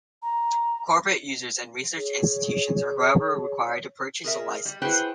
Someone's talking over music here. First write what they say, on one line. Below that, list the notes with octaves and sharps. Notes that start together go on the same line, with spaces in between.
Corporate users and research institutions are however required to purchase a licence.
A#5
G#4 C#5
G#4 A#4 E5
G3
E4 F#4 G#4 B4 C5 G5